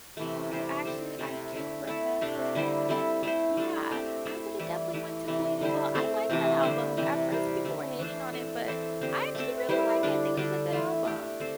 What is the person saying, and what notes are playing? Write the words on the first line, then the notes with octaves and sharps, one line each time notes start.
Oh, actually, I do remember that. Yeah, I would've definitely went to Queen as well I like that album, at first, people were hating on it, but I actually really like it, think it was a good album.
C3 E3 A3
G3 E4 G4 C5
D3 C4 A4 C5
C3 A3 E4
D3 A3 E4
A3 E4 A4
C3 A3 D4
D3 G3 E4 C5
G3 C4 E4 A4
A3 E4 C5
G3 D4 A4
A3 C4 G4
A3 E4 A4 C5
E3 G3 E4
E3 A3 E4 G4
C3 E3 A3 D4
D3 G3 E4 C5
A3 C4 A4 C5
C3 E3 A3 C4
D3 G3 E4 C5
C3 E3 C4
G3 C4 G4 C5
D3 A3 E4
E3 A3 D4 C5
A3 C4 A4
E3 C4 A4 C5
D3 C4 G4 C5
A3 C4 A4
G3 E4 G4 C5
D3 G3 D4
D3 G3 D4 A4
E3 A3 E4
A3 D4 G4
D3 C4 A4 C5